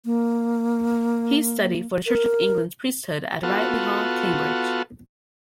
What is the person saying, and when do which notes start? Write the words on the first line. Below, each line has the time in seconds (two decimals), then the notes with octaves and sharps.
He studied for the Church of England's priesthood at Ridley Hall, Cambridge.
0.05 A#3
2.06 A#4
3.43 B3 F4 F#4 A4